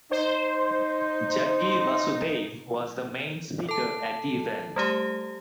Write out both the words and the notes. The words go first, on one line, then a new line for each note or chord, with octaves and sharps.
Jaggi Vasudev was the main speaker at the event.
D#4 C5
A4 A5
G3 A3 G4